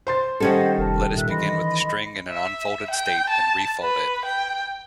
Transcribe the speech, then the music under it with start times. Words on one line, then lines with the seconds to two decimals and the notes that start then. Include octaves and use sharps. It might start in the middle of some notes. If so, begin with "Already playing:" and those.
Let us begin with the string in an unfolded state, then refold it.
0.07 C5 C6 A6
0.40 D#3 G3 C#4 A4 C5 D#5 F#5
0.78 F1 A#4 A5
1.16 A#2 A#4 E5 F#6
1.29 E3 D#5 B5 C6
2.30 E5
2.90 G5
3.29 A5
3.83 B4
4.25 G5